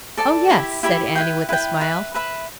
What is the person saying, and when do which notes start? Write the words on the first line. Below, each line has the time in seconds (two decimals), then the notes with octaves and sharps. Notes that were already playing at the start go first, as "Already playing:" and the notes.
"Oh yes," said Annie, with a smile.
0.17 A4 D5 A5
0.50 E4 G4 E5 B5
0.83 E4 G4 E5 B5
1.15 E4 B4 G5
1.49 E4 B4 G5
1.81 B4 E5 B5
2.14 B4 E5 B5